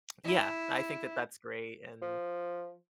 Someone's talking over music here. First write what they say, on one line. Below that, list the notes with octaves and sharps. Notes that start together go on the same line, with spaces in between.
Yeah, I think that that's great and,
E4
F3